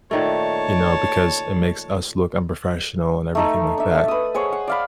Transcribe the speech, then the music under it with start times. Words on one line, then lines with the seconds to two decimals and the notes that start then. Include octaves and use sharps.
you know, because it makes us look unprofessional," and everything like that,
0.11 A#2 D#3 A3 C#5 A5
3.35 A3 D#4 A4
3.78 D4 E5
4.08 B4 D#6
4.34 G#4 C5 C#5 F#5
4.52 F#5
4.68 D5 F5 B5